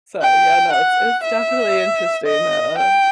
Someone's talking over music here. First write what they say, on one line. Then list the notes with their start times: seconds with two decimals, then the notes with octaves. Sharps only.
So, yeah, no, it's it's definitely interesting, uh,
0.22 G5
0.73 F#5
1.24 E5
2.27 D#5
2.78 G5